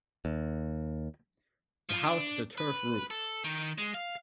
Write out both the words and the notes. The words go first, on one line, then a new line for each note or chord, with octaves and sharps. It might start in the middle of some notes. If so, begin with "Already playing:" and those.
The house has a turf roof.
D#2
F3
D4
B4
A4
D#3
G#3
F5